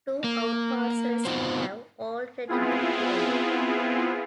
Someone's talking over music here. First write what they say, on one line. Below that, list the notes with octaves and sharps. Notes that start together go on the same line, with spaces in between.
Two outparcels have already been developed.
A#3
B3 C4 D#4 F4 F#4 C5
B3 C4 E4 F4 G#4